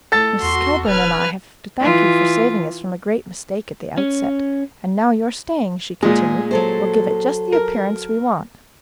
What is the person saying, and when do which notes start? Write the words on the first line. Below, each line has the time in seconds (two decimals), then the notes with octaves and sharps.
Miss Kilburn and I have to thank you for saving us from a great mistake at the outset, and now your staying," she continued, "will give it just the appearance we want.
0.12 A2 A4 A6
0.42 E2 F#4 C6
0.87 D#1 B4 F6 G#6
1.80 E3 F4
3.98 C#4
6.02 A#2 G#3 G#4
6.51 F#3 A4 C5
7.52 A#4